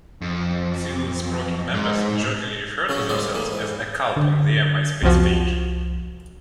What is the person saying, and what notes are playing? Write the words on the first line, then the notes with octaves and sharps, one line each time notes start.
Silver Sprocket members jokingly refer to themselves as a cult on their Myspace page.
F2
G#2
C#3 F#3 C#4 F#4
D#2 G#2 G3 F4 G#4 D5
A2 E3 A#3
G#2 E3
D3
C2 F2 F3 F#4